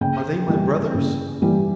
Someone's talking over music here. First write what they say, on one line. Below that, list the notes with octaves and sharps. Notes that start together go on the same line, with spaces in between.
"Are they my brothers?"
C#3 G5
E3 G3
C#3
E3 G3